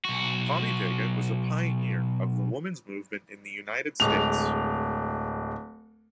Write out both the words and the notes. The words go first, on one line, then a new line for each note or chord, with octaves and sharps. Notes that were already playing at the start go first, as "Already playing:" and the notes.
Pommy Vega was a pioneer of the women's movement in the United States.
B1 F#4
D1 G#3 F7